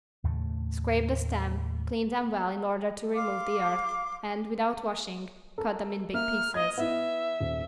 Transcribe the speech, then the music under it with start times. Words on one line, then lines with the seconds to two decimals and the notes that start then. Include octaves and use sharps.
Scrape the stem, clean them well in order to remove the earth and, without washing cut them in big pieces.
0.24 D#2 A2 C#3 A3
3.14 F5 C6 D6
5.58 A4 A#4
6.14 A#3 E5 F6
6.54 D#5 G#6
6.78 B3 E4 E5
7.40 D#1